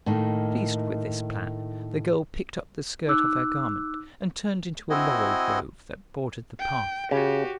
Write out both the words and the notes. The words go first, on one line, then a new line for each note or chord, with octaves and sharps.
Pleased with this plan, the girl picked up the skirt of her garment and turned into a laurel grove that bordered the path.
A2 D#3 A#3 D#4
D#4 D6 E6 F#6
C4 E4 F#4 D#5 G#5
G5
C#3 F#4 G4